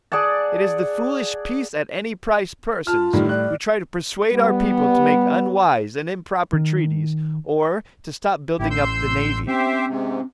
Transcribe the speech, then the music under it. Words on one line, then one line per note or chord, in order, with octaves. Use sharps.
It is the foolish, peace-at-any-price persons who try to persuade our people to make unwise and improper treaties, or to stop building up the navy.
G#4 D5 F#5 A5
F4 A5 F6
A2 D#3 G3
D5 F#6
G3 B3
D#3
A1 C#4 E4 G4
C6 E6 G6
C4 C#4 G4 C5 E5
G#2 C3